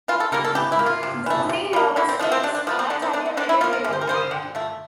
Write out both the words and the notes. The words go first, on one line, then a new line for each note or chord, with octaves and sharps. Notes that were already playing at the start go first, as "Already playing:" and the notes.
The three lowest states are tabulated below.
E3 F4
A4
G3 A#3 A#4
A4
E3 G4
E4
A#3
F4
C3
E3 A3
C3
G3 A#3
D3 E4
C4
F3 A3 D4
C4
C3 D4
D4
F3 A3
C4
D3 D4
C4
A3 D4
C4
D3 D4
E4
F3 A#3 F4
A#4
C3
C5
A#4
G3 A#3 C5
D3
F3 A3